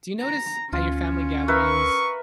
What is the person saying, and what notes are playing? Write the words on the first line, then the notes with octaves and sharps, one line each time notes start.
do you notice at your family gatherings,
A#5
D2 C#4 F4
A#4 B4 E5 C#6